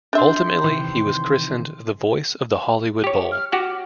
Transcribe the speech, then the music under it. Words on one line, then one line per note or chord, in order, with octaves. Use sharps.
Ultimately he was christened The Voice of the Hollywood Bowl.
D4 E5 C6 G6
C3 D#3 E3
G4 C#5
F6
F#4 G4 F#5 D6